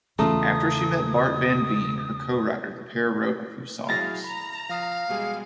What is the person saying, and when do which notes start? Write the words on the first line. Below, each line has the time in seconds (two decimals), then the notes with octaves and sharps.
After she met Bart van Veen, her co-writer, the pair wrote a few songs.
0.19 E2 C#3 A3 F4 A#5 D#6
3.88 F#3 E4 G#4 F5 A6 A#6
4.24 A#5 B5
4.69 F3 F5 D#6
5.09 B2 G3 G#3 G#4